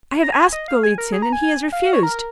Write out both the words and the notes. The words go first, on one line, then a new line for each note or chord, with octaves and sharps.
I have asked Golitsyn and he has refused.
A#5
G#5
D#5
F5
G#5
A#4
G#4
A#5
G#5
G#5
F5
F5
C#5
A#4